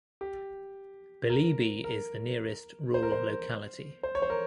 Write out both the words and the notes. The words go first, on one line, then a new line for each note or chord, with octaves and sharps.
Belebey is the nearest rural locality.
G4
A#4
A#4
C5
A#4
C5
C5
C#5
C5
A#4